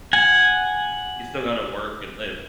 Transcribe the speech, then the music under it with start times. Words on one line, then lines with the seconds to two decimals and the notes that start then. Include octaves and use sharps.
you still gotta work and live.
0.13 F#5 G#5